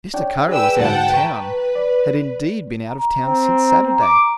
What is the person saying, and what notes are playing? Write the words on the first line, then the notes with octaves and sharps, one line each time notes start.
Mr. Kara was out of town, had indeed been out of town since Saturday.
D4 C#5 G5
G#4 B4 D5 G5 E6
D2 G#2 F#4 F#5 G5 A5
B4 A#5 C#6
D5
A#5
C4
D6